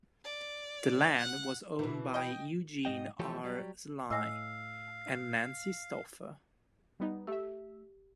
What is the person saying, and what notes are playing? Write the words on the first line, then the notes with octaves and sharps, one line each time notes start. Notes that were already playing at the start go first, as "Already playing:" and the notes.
The land was owned by Eugene R. Sly and Nancy Stauffer.
D5
F#5
B2 E3
D#5 G5
G#2 F#3 D#5 G5
E3 F3 A3 G4 A4 C#5
F#3 G3
A2 D#5 F5 G#5 E6 A#6
G3 B3 D#4
A3 G4 E5